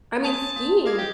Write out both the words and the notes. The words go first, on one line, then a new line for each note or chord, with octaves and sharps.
I mean, skiing
A#3 G#5 A5
A#3
D#5 F5 D6 G#6
G4